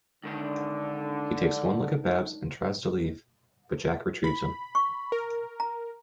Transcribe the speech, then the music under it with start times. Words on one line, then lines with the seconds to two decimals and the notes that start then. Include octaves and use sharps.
He takes one look at Babbs and tries to leave, but Jack retrieves him.
0.24 G#2 D3 D#3 D4
4.24 B5
4.75 C#6
5.12 A#4
5.60 A#5